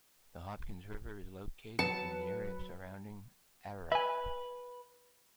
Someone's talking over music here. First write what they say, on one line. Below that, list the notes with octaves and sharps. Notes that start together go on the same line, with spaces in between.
The Hopkins River is located in the area surrounding Ararat.
F#3 B4 A5 C#7
B4 E5 G#5